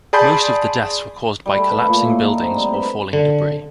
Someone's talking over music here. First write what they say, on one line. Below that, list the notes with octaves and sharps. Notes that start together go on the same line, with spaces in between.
Most of the deaths were caused by collapsing buildings or falling debris.
G#4 D5 A5 B5 C6 G6
G3
A3
B4
A#2
A2
D#4
C4
G3
B4
D3